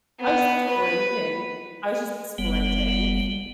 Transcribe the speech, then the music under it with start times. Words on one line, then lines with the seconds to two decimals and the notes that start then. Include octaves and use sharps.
I was sprinting. I was just sprinting.
0.20 B3
0.69 B4
2.38 F#1 G3 B3